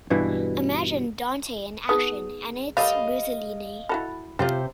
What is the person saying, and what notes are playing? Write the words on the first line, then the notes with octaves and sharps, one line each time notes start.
Imagine Dante in action, and it's Mussolini.
G2 B2 E3 E4
B3 D#4 G#4 D#6
G3 A3 A#4 C#5 D#5 F5 B5
E4 F#4 A4 B5
C3 G3 F4 C5